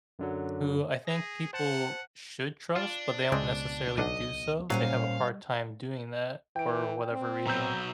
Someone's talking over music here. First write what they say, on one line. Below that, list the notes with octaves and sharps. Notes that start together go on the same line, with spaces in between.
who I think people should trust but they don't necessarily do so. They have a hard time doing that for whatever reason.
F#2 D3 F#3
G#4 A#6
C5 F#5 A5
D4 F4
C#2 B2 G#3 C4 D5
B1 D4 D#5 F#5
A#2 F#3 G3 C#4 C5 F5
E3 G5 D7
C4
B2 F#3 A#5 E6 G6